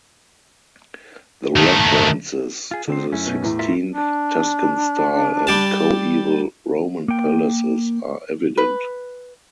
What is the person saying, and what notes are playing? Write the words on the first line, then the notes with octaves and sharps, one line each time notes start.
The references to sixteenth Tuscan style and coeval roman palaces are evident.
D#3 A3
F4 G#4
D3 C4 C5
F#2 A3 C#4 E4
B2
E2 A2
F4 A#4 E5
D4
G3 G4 A5
A#3 G5
B4